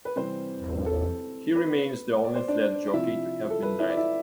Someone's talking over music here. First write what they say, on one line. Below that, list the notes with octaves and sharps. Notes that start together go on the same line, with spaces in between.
He remains the only flat jockey to have been knighted.
B4
C3 E3 G3 C4 C5
A4
B4
D5
C5
D4 D5
D5
C3 F3 E4 E5
A4
B4
E4 E5
D5
E4 E5